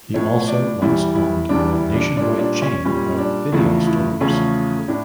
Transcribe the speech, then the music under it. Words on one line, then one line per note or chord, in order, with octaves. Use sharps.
He also once owned a nationwide chain of video stores.
A2 F3 A3 C#5
D5
E2 E3 G3 E4
E4
E2 E3 G3 D4
E4
D4
A#2 G3 D4
D4
C#4
A#2 G3 C#4
D4
E2 C#3 F3 A3 E4
E4
E2 C#3 F3 A3 C#4
A2 D4